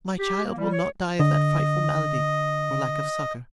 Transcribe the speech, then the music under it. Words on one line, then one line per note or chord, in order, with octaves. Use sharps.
My child will not die of that frightful malady, for lack of succor.
G4
A#3
G3
C#5
D3 D#5